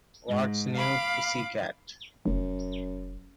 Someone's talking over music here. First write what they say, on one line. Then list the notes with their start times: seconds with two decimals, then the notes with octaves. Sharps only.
What's New Pussycat?
0.27 G#2
0.76 F5 B5 D6
2.26 F1 F#2